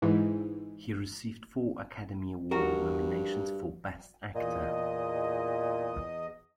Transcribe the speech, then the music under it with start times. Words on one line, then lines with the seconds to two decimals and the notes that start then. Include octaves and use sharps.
He received four Academy Award nominations for Best Actor.
0.02 G#2 E3
2.51 G2 F#4 A#4
4.35 E2 A#2 D#5